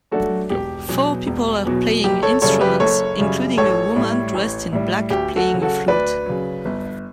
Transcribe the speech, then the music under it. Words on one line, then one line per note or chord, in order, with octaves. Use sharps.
Four people are playing instruments, including a woman dressed in black playing a flute.
F#3 A3 D4 F#4 A4
E1 G4
E2 B2 F#3
E1
E2 B2 F#3
F#1 G4
A4 C#5
F#2 C#3 G3 A4 C#5
G4 B4
F#1 A4 C#5
F#2 C#3 G3
A1 A4 C#5
A2 G3
A1
A2 G3
D2 G4
F#4 A4
C#3 F#3
F#4 A4
D2 B4 D5
C#3 F#3
G1